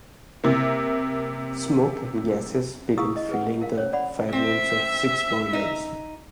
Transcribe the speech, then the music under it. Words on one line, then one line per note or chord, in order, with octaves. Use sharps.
Smoke and gases began filling the firerooms of six boilers.
C3 A#3
E4 G#4 F5 C#6 D#6 E6
D#5
G#4 B4 F#5
A#4 F5
C#4 C5 C#5
D5 F#5 B5
C4 E5
D#4